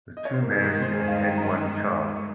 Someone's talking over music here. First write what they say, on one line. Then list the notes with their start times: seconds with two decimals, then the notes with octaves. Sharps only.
The two married and had one child.
0.17 D#5
0.25 C#5
0.34 C5
0.42 A#4
0.50 G2 D#3 G#3 G#4
0.61 A#4
0.72 A#4
0.82 C5
0.94 G#4
1.08 F5
1.23 G5
1.37 A#5
2.17 C#6